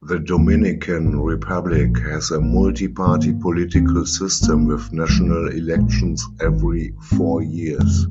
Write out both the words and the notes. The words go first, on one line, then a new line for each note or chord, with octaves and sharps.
The Dominican Republic has a multi-party political system with national elections every four years.
D#2 D#3 A#3
G#1 G#2 D#3
A#1 A#2 F3
A#1 A#2 F3 A#3
G#2 D#3 A#3
D#2 D#3 C4
G#1 G#2 D#3 A#3
C2 C3 F3 G#3
A#1 A#2 G#3
G#1 G#2 D#3
G#2 G#3 C4
F2 C3 D#3 G#3